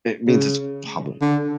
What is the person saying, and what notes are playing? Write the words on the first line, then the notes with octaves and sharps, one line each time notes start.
It means it's public,
C#3
D3